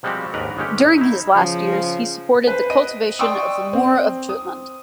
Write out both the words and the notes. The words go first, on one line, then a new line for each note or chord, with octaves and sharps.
During his last years he supported the cultivation of the moor of Jutland.
F3 G3 G#3 C4 F#4 G4
D#2 G#2 D4 A#4 B4
G1 G#3 C#4 G4
D#4 E4
C#3 F3
B4 C5
D#5 D#7
D5 G5 C6 C#6 D#6 E6
C4
D#6